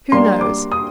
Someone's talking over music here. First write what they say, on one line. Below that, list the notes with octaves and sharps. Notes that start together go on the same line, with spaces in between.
Who knows?
G3 A#3 D4 C6
D6
D#6